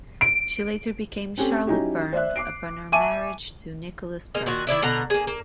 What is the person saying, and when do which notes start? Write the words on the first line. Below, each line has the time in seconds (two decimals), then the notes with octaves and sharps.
She later became Charlotte Byrne upon her marriage to Nicholas Byrne.
0.21 D7
1.38 C4 C#4 G4 A4
1.67 F#3 C#4 D#4 E4 G4
2.13 C5 D5 E5 F#6
2.36 D6 C7 D7
2.92 E5 G#5 A5 C#6 D6 D#7
4.35 G#3 A#3 D#4
4.46 A#2 D#3 F#4
4.67 D#3 E4 D5 E5
4.82 B2 D3 F#5 A#5
5.10 A#3 G#4
5.27 A#3